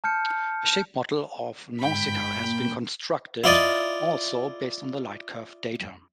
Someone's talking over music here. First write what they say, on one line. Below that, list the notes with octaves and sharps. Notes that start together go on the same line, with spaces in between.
A shape model of Nausikaa has been constructed, also based on the lightcurve data.
A5 F6 G6 C#7
G1 G#2 G5 B5 B6
A#2 A#3
E4 F4 D5 D#5